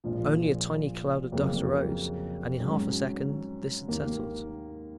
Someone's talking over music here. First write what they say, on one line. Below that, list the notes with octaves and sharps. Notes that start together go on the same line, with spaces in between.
Only a tiny cloud of dust arose, and in half a second this had settled.
A#1 A#2 F3
F2 C#3 F#3 A#3
G#2 F#3 C#4
D#2 D#3 A#3